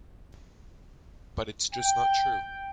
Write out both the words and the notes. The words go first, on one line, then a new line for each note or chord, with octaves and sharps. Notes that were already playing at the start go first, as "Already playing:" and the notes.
But it's just not true.
G5